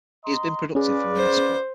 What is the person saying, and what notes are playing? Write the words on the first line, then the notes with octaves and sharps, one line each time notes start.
He has been productive for Municipal.
D#5 A#5 C6
C#4 F4 G#4 B4 D5
C5